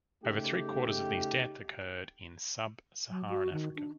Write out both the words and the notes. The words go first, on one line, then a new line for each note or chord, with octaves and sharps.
Over three-quarters of these deaths occurred in sub-Saharan Africa.
C#3 A3 D#4 G4
F#3
F#4
D#3
D4